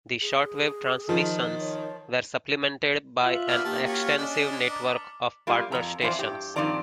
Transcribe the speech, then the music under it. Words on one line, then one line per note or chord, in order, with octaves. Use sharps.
The shortwave transmissions were supplemented by an extensive network of partner stations.
G#4
D#3 F3
C#5
F4 E5 F#6 B6 F#7
A#3 B3 D4 F6 B6
D#3 A#3 G4 A5 A6
C#4 F4 F#4 B6 C#7
C#4 D4 D#5 F6
A#5 D6
G3 A#3 F4
F2 A#5
F2 E3 F3 C5 D5
G2 G4
G2 D#3 F3 C4 D5 A#5